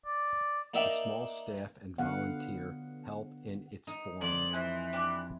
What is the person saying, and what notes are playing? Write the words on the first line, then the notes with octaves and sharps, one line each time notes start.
A small staff and volunteer help in its forum.
D5
A#3 D4 D#4 E5 F#5 G5
D3 B3 F5 F#5
D#4
F2 D5 F#7
E3 C5 G#5 F#6
D4 E4 G4